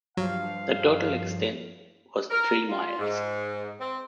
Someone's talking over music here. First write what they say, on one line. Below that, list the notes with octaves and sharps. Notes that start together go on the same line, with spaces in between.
The total extent was three miles.
G2 F3 F#3 F5
A#4
F4
G#2
C4